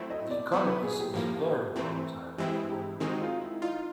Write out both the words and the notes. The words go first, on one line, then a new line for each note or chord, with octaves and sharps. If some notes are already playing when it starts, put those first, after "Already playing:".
The economy seems very volatile at the moment.
Already playing: F#3 A3 C4 E4
D#5
D5
F#3 B3 E4 C5
B4
G#4
G#4
G4
A2 F3 A#3
E3 A3 C4
E3 G#3 C4 E4 G4
G4
D#3 G#3 C4 D#4 F#4
F4
E4
D#4 F4